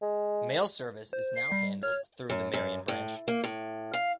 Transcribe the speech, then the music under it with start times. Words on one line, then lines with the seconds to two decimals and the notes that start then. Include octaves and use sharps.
Mail service is now handled through the Marion branch.
0.02 G#3
1.13 C5
1.36 C7
1.52 G3
1.83 C#5 F6
2.30 F#2
2.54 F#2
2.88 A2
3.28 A#3
3.44 A2
3.94 F5